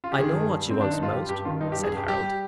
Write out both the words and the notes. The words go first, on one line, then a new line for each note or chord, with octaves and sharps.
"I know what she wants most," said Harold.
F4
G4
D#3 G#4
G2
G3
G2 C4
D#3 D4
D#4
G2
F4
G3 G4
G2 G4
D#3 F4
G2 D#4
G4
G3
G#4
G2 G4
G3 G4